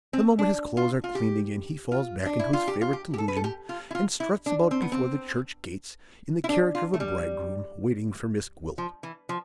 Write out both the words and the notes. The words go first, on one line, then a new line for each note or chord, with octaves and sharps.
The moment his clothes are cleaned again he falls back into his favorite delusion, and struts about before the church gates, in the character of a bridegroom, waiting for Miss Gwilt.
C4
D4
F4
F4
G4
F4
D4
E4
F4
G4
F4
G4
G4
A4
B4
A4
G4
F4
E4
F4
E4
D4
C4
B3
C4
E4
D4
F4
A3
G3
F3
E3
F3